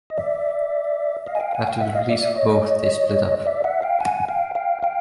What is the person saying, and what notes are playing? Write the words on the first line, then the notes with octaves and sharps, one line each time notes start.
After the release of both they split up.
D#5
D5 E5
D#5 F5
G#5
F5 G5
F#5 G#5
F5 G5
E5 F#5
D#5 F5
D5 E5
D5 E5
C#5 D#5
D5 E5
E5 F#5
F5 G5
F#5 G#5
F5 G5
F5 G5
F5 G5